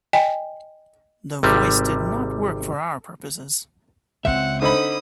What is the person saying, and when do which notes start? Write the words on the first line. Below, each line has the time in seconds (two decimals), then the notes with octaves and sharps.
The voice did not work for our purposes.
0.13 D#5 G5 G#5
1.43 G#1 C3 G3
4.25 C#2 C4 E5 F#5
4.62 D3 D#4 C5 B5 D#6